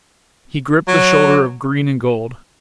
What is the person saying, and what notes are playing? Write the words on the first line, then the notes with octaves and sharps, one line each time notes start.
He gripped the shoulder of green and gold.
F#3